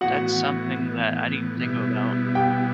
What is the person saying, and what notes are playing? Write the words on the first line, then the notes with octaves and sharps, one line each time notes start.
That's something that I didn't even think about.
A2 E3 B3 F#4 F#5
B2 G3 B3 E4
G4 G5